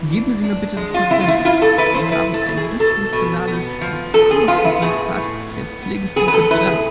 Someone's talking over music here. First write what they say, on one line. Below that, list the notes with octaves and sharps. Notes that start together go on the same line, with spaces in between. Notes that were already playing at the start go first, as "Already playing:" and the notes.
Geben Sie mir bitte den Präsidenten, wir haben ein dysfunktionales Strukturfabrikat der Pflegestufe drei.
Already playing: E3
D4
D4
G#3
F4
C4 E4
F4
E4
E4 F4
A4
E4 B4
C5
E4 B4
A4
B2
G#4
B2 A4
B2
B3
F3
F3 A4
G#4
B3 F4
E4
A2 G#4
A2
B3
B3
B3 G#4
B4
A4
E4 B4
G#4